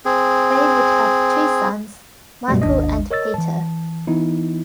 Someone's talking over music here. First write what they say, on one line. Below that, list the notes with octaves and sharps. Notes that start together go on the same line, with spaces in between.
They would have two sons, Michael and Peter.
C4 G#4
G2 B2 F#3 G3 A3
G#1 D#2 D4 D#5
A#4 C#5 D#5 E6 A6
E3 A5
E3 B3 D#4 E4